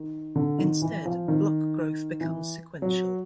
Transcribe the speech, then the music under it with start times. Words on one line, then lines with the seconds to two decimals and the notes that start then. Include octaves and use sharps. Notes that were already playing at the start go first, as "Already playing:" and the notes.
Instead, block growth becomes sequential.
Already playing: D#3
0.35 D3
0.59 D#3
0.82 E3
1.05 F3
1.28 D#3
2.21 E3
2.82 F#3